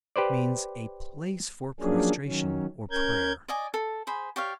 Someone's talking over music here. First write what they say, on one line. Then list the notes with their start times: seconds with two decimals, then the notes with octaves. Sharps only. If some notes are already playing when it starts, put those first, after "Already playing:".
It means a place for prostration or prayer.
0.16 G4 B4 C5 D5
1.80 F3 F#3 A#3 C#4 D4 G#4
2.26 D#3 F#3 C#4
2.91 C#4 A#4 G6 G#6
3.48 D5 D#5 G#5
3.74 A4
4.07 G#4 C5 B5
4.36 G4 C#5 D5 F5